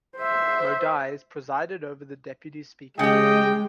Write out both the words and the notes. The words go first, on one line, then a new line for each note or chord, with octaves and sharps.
Modise presided over the Deputy Speaker’s election.
C5 E5
C#3 G#3 G4 D#5 G5